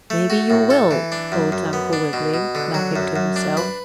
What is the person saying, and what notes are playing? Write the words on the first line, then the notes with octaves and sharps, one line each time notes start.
"Maybe you will," thought Uncle Wiggily, laughing to himself.
A3
F#4
A2
A4
E3
D4
F#2
F#2
B3
D4
B2
B2
D3
F#3
F#2
F#2
D4
B4